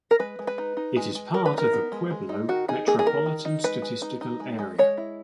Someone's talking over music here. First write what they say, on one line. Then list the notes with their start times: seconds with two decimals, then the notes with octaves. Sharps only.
It is part of the Pueblo Metropolitan Statistical Area.
0.11 A#4
0.19 G#3 B4
0.39 G#3
0.47 B4
0.58 D#4
0.77 D#4
0.96 G#3
1.15 G#3
1.34 G#3 A#4
1.46 B4
1.53 D#4 A#4
1.73 B3
1.92 G#3
2.10 G#3
2.29 D#4
2.49 D#3 F#4
2.68 D#4 G#4
2.87 A#3 G#4
2.99 G#4
3.06 D#3 A#4
3.26 D#3
3.45 D#4
3.64 G#3 B4
3.82 G#3
4.02 D#4
4.21 D#4
4.40 G#3
4.59 G#3
4.78 G#3 C#5
4.98 E4